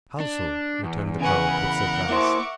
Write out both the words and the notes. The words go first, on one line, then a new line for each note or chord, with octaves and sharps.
"How so?" returned the count, with surprise.
D4
E2
C#3 A#4 B4 F#5 G#5 C#6
B5
A#3 E4 C5 E5 C#6 D6